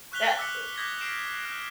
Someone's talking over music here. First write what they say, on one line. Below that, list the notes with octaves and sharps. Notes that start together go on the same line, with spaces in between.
That, uh,
C#6 F6 F#6 B6 F7 G7
D6 E6 B6 C#7
D6 D#6 G6 G#6 A#6 B6
F6 C7 D7 E7
F6 F#6